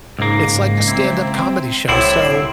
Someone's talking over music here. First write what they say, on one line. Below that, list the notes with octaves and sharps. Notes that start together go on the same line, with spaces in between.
It's like a stand-up comedy show, so,
C#2 G#2 A#3
C4 E4
C2 A2 D3 C4 E4